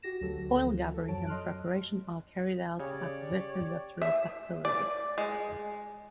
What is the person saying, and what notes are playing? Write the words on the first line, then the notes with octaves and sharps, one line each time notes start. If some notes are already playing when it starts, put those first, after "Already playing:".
Oil gathering and preparation are carried out at this industrial facility.
F#4 G4 A#6 E7
D2 F#3 A4
F3
A4
F#2 F#3 C#5 A5 D7
D#5 C6 F6 F#6
C#3 G4 C#5 D5
E5
D5
G#3